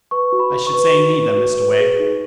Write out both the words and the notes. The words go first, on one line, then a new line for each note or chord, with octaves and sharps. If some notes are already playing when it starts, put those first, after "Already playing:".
'I should say neither, Mr Wegg.'
B4 C#6
F#4
B5
F#4
C#6
B4
F#4
B4
F#4
B4
G#4
D#4